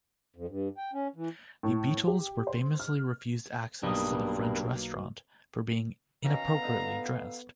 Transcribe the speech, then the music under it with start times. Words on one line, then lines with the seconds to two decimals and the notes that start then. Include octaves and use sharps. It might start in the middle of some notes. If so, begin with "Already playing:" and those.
The Beatles were famously refused access to the French Restaurant for being "inappropriately dressed".
0.36 F2
0.49 G2
0.77 G5
0.93 C#4
1.16 E3
1.63 A2
2.07 G4
2.47 C5
2.80 F6
3.83 B1 G2 A#3 B3 A#4 B5 D#6
6.25 B2 D#3 B3 C#4 F5 A#5
6.63 D3 D#4 F4